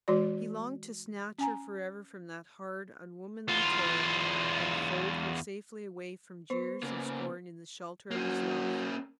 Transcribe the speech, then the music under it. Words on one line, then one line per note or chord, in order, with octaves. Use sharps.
He longed to snatch her forever from that hard, unwomanly toil and fold her safely away from jeers and scorn in the shelter of his love.
E3 G#3 F#4 D5
C#4 G#5 A#5
E2 F4
B3 B4 C5
C#3 A#3
F#3 A#3 C#4